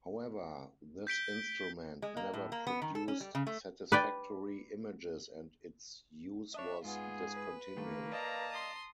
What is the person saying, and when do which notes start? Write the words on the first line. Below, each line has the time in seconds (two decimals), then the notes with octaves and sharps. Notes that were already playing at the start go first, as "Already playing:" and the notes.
However, this instrument never produced satisfactory images and its use was discontinued.
1.07 G6 B6 D7 G7
2.02 G#3
2.17 A#3
2.34 A2
2.52 A#3
2.67 B3
2.82 D#3
2.95 A4
3.08 C#4
3.20 G3
3.35 C#3
3.47 A3
3.92 B4 D5 G5
6.54 D4 C#5 D#5 E5
6.84 G#2 B3 F4 G#4
7.34 B4
7.77 D#3 A3 A#3
8.12 D5 D#5 F5 A5 A#5
8.52 C6 D#6